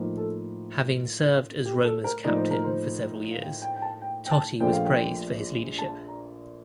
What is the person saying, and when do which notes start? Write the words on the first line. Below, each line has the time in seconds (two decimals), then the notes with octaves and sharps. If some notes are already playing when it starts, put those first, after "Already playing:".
Having served as Roma's captain for several years, Totti was praised for his leadership.
Already playing: A2 F3 A#3 D#4
0.17 A4
1.66 G4
1.85 A4
2.04 A#4
2.24 A2 F3 A#3 D#4 D5
2.37 C5
2.51 A#4
2.64 C5
3.31 F5
3.42 G5
3.62 G5
3.76 G5
3.82 A5
4.02 G5
4.26 G5
4.31 A5
4.60 A#1 A#2 F3 A3 G5
4.73 F5
4.85 G5
5.78 A5
6.08 A#5